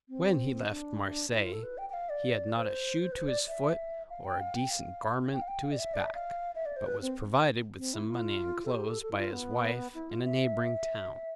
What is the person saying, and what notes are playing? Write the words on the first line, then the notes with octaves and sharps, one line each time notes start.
When he left Marseilles, he had not a shoe to his foot or a decent garment to his back, but was provided with some money and clothes by his wife in a neighbouring town.
C4
D4
E4
F4
A4
B4
G5
G5
F5
D5
C5
B4
C5
D5
E5
F5
G5
F5
G5
F5
G5
F5
G5
F5
D5
E5
D5
E5
F5
E5
D5
C5
B4
C4
C4
E4
F4
A4
G4
A4
A4
E4
F4
B3
E4
F4
E5